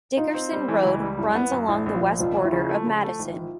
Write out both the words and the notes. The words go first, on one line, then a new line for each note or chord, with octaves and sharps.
Dickerson Road runs along the west border of Madison.
D#4 F4
C4
G3
E3
C#2
G3
F#2 E4
B3
F#2
A#1 E4
A#1
F3 F4
A#1
F1 F3 F4
D#2
E4
C#3
A3
C#3
A3
G#1